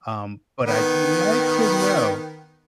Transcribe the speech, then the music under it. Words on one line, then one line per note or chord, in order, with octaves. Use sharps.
um, but I'd like to know
D#3 B3